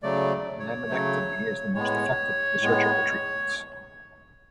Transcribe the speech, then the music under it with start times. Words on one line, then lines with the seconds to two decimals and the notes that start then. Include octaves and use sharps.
Laminectomy is the most effective of the surgical treatments.
0.03 C#3 F#3 A3 D5
0.60 C#5
0.89 C#3 F#3 A3
1.74 A2 G#3 B3 C#5
2.61 A2 G#3 B3